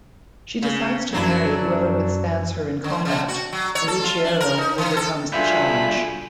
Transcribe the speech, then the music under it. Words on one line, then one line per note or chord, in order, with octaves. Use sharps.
She decides to marry whoever withstands her in combat and Ruggiero overcomes the challenge.
C#3
F#2 F#3 D4 E4
D3
C#3
F#4
F#3
C#5
A4
F4
D4
A#4
D#4
E3
A4
G2 D3 F4 F#4 G#4 E5 B5 G6